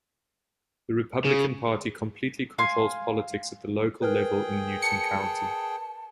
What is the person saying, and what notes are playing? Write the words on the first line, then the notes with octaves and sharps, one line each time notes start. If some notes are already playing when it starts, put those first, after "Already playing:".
The Republican Party completely controls politics at the local level in Newton County.
C#3 G#4
F5 G#5 C6
G#4 A#4 B4 G5
A5 C#7